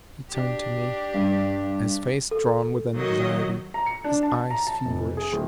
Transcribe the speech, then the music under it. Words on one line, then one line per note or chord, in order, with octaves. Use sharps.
He turned to me, his face drawn with anxiety, his eyes feverish.
D4 G4
G2
A4
D#3 F#3 D#5
A#5
C#7
D4
A5
A#5
A5
F1
G#4
D1